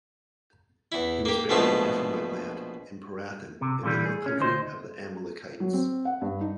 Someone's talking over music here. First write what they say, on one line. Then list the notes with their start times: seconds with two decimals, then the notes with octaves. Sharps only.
He was buried on Ephraimite land, in Pirathon, in the hill-country of the Amalekites.
0.92 E2 E4
1.25 A#3 G4
1.49 A#1 B2 F3 G#3 A3 A5
3.61 C3
3.83 A#2 D3 E3 G3
4.05 G#4
4.26 C#4
4.39 D2 D#4 C5
5.60 F#3
5.73 C4
6.05 F#5
6.21 G2
6.41 D#4